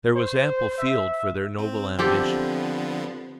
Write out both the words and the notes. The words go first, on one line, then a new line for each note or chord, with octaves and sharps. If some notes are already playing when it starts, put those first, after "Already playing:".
There was ample field for their noble ambition.
C5
E5
C4
D3 F3 B3 C4 G4 A4